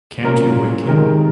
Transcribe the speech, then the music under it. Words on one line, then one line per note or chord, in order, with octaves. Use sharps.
Can't you wake him?
A#2 F#3 C#4 A#4
C3 D#3 G#3 A#4